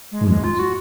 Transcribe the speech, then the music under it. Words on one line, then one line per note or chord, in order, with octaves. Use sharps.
Who knows?
G#3
G#3
F4
F#4